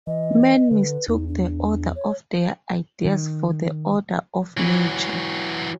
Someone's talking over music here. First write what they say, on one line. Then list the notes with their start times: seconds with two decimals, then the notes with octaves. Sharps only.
Men mistook the order of their ideas for the order of nature.
0.07 E3 D#5
0.71 D3 B4
1.08 E2 D#4
1.28 D4
1.96 C#5
3.05 D#3
4.58 E3 F#3